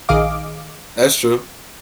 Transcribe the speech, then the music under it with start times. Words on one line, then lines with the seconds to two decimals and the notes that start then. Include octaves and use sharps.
That's true.
0.09 A#1 D#3 G#4 D#5 F5 D6